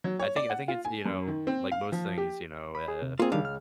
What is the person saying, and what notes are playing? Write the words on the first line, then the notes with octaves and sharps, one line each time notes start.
I think I think it's, you know, like most things, you know, uh
F#3
C#5
D5
F#5
F4
G#5
F#2
D#3
C4
F5
F3
G4
B5
G#4
C3
A#3 C4 F4 G#4
C#2 D#3 G3 D4 F5
F6